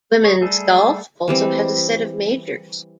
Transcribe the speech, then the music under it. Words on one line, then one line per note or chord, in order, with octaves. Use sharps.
Women's golf also has a set of majors.
G#4 C#5
G3 A3 G#4 A4
E3 G3 C4